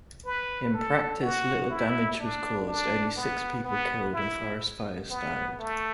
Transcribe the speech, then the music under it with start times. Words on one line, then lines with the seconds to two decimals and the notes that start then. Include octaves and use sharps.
In practice little damage was caused, only six people killed and forest fires started.
0.26 B4
0.74 A4
1.22 F#4
1.70 E4
2.20 D4
2.67 D4
3.17 B3
3.65 B3
4.14 E4
5.11 B3
5.59 A3